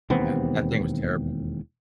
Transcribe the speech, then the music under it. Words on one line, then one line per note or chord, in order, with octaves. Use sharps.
Yeah. That thing was terrible.
E1 D#2 B3 C4